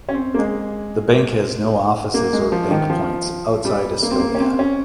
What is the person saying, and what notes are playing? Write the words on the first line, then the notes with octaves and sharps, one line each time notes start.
The bank has no offices or bank points outside Estonia.
C#4
C4
A#3
G#3
A#3
G#3
F3
D#3
F3
G3
A#3
C4
A#3
C#4
C4
C#4